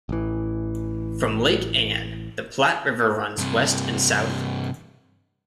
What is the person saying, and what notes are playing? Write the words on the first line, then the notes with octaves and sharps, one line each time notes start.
From Lake Ann, the Platte River runs west and south.
A1 E3
G2 C3